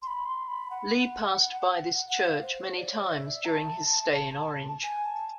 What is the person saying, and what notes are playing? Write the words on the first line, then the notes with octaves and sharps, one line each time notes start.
Lee passed by this church many times during his stay in Orange.
C6
B5
C6
B5
F#5
F#5
F5
C5
C#5
D5
E5
A#5
A5
G#5
A5